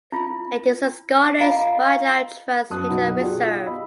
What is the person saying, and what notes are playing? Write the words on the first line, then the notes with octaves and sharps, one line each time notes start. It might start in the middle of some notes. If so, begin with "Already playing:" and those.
It is a Scottish Wildlife Trust nature reserve.
E4 F4
F4 D#5 F5 A#5
F#2 A5 D#6 F#6
B2 F#3 D#4 F#5 B5
F4 G4 G#4 D5
F5
D#5 B5 E6